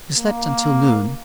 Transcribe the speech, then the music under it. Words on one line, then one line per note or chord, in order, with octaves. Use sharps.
He slept until noon.
A#3